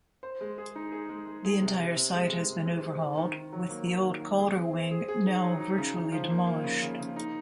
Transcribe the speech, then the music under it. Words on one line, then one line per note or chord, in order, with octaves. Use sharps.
The entire site has been overhauled, with the old Calder Wing now virtually demolished.
C5
G#3
G#4
D#4
G#4
G#3
G#3
G#4
C3
C3
C4
G#3
G#3
G#3
C4
C4
D#3
D#3
D#3
F#3
A#3
F#3
D#3
F#3
G#4
C4
C4
G#4
G#4
D#4
F#3
D#4
C#3
C#3
F3
A#3
A#3
C#3
C#3
C#3
D#4